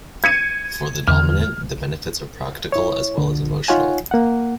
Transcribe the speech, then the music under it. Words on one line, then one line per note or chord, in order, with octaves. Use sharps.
For the dominant, the benefits are practical as well as emotional.
G#6 C#7 D#7
E2 D3 F6
E4 C#5
D2 D3
D#4 F4 C#5 F#5 G#5
A#3 F#5